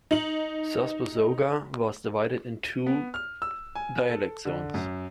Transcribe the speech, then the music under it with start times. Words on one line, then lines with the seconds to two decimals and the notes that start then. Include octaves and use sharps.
Thus Busoga was divided into two dialect zones.
0.11 D#4 F#7
2.63 D#7
2.87 B3
3.14 F6
3.42 E6
3.75 G#5
4.09 A4
4.45 D3
4.74 F#2